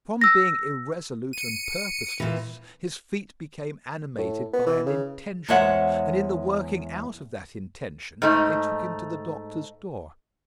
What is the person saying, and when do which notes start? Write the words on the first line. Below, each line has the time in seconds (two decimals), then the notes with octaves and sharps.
From being irresolute and purposeless, his feet became animated by an intention, and, in the working out of that intention, they took him to the Doctor's door.
0.21 E6 A#6
1.33 C#7 D#7
2.20 A#2 E3
4.18 A2
4.53 B3
4.66 E3
4.86 C#3
5.49 E2 G#3 C5 C#5 E5 F#5
8.22 G#2 A3 D#4